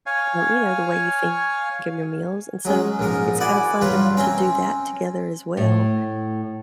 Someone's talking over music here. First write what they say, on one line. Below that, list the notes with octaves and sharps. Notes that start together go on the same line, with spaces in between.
um, you know, the way you think of your meals. And so it's kind of fun to to do that together as well.
C#5 F5 G#5
F#3 G#3 C#4
A#1 G#2 A#4 D#6
E4 F#4 D5 F#5 G#5 B5
G2 F#3 F4 B4 F5 B5
C4 C#4 E5 A#5
A2